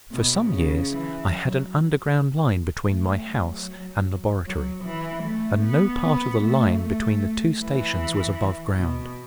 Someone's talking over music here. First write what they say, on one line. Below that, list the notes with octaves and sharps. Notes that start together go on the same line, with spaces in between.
For some years I had an underground line between my house and laboratory, and no part of the line between the two stations was above ground.
B2
C#3
E3
F#3
A3
F#3
F#3
E3
A3
B3
B3
A3
A3
E3
B2